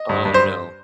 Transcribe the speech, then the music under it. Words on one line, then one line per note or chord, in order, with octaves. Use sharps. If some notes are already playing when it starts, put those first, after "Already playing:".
Oh, no.
Already playing: D#5
G2
G2
C5